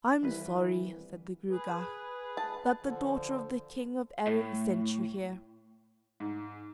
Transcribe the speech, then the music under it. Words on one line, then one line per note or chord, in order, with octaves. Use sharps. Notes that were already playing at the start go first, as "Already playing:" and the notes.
"I'm sorry," said the Gruagach, "that the daughter of the king of Erin sent you here."
G1 C2 D#3 E3 G3 B4
G#4 B4
A5
D3 F3
A2
G#2